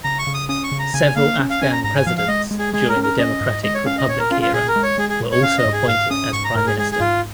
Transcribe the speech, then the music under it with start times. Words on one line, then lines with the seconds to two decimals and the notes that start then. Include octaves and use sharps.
Several Afghan presidents during the Democratic Republic era were also appointed as Prime Minister.
0.04 C#3 A#5
0.19 C#6
0.27 C#3
0.34 D#6
0.49 C#4 D#6
0.64 C#6
0.71 C#3
0.79 A#5
0.94 C#3 G#5
1.16 A#3 F5
1.39 C#4
1.50 F5
1.62 C#4 G#5
1.73 A#5
1.84 G#2 A#5
1.95 G#5
2.06 F3 F5
2.17 F5
2.28 G#3 D#5
2.51 G#3
2.59 G#4
2.73 G#3 G#4
2.89 A#4
2.96 C#4
3.03 A#4
3.18 C#4 D#5
3.41 G#2
3.63 G#3 D#5
3.74 C#5
3.86 C#4 F5
3.98 D#5
4.08 A#2 C#5
4.20 A#4
4.31 C#4 F4
4.42 F4
4.53 A#2 G#4
4.68 A#4
4.76 G#3
4.83 C#5
4.98 G#3 G#4
5.09 G#4
5.21 A#2
5.32 C#5
5.43 C#4 F5
5.58 D#5
5.66 G#2
5.73 G#4
5.88 G#2 F5
6.11 C#4 D#6
6.33 G#2 C#6
6.44 A#5
6.55 G#2 A#4
6.67 G#4
6.78 G#3 G#4
6.92 G#4
7.00 G#2 F4